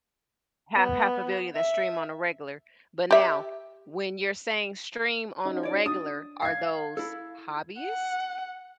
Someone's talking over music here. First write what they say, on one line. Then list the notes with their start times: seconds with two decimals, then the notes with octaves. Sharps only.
half half a billion that stream on a regular. But now, when you're saying stream on a regular, are those hobbyist,
0.75 B3
1.55 E5
3.11 G4 E5
5.45 C#4 D#4 F#4
5.63 C#5 D5
5.86 D4 D#6
6.42 F5 G#6 C7
6.97 E4 A4
7.81 F#5